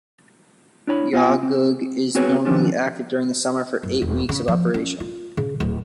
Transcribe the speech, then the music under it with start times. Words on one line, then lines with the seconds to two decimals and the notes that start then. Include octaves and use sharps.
Yawgoog is normally active during the summer for eight weeks of operation.
0.87 D4 E4 C#5 A#5 B5
1.13 B3 F4 D#5 F5 G5 G#5
1.43 C4
2.15 B3 C4 F#4 G#4 B4 C#5
2.45 D#3 F3 B3 C#4 D4
3.83 F#1
4.02 E1
4.29 C#3
4.48 F3
4.74 C#4
5.00 F4
5.37 C#3
5.60 D1